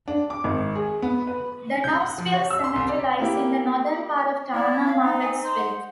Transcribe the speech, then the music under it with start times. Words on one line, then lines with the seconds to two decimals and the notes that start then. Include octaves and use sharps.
The Knoxville Cemetery lies in the northern part of town on Market Street.
0.08 D4
0.30 D6
0.44 G#1
0.75 G#4
1.02 B3
1.27 B4
1.84 G6
2.00 F#5
2.18 F3
2.33 C#5
2.50 E6
2.64 C6
2.76 C2
2.88 D5
3.20 A#3 E4 G4
4.54 E4 C#5 D5
4.86 F5
5.03 C4 D#4
5.21 G#5
5.43 D#4 C5 C6
5.58 F#5